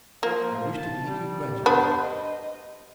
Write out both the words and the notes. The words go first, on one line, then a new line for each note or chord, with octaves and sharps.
I wish to lead you gradually.
F3 A#3
A5
G3
B3 D4 C5 B5
D#5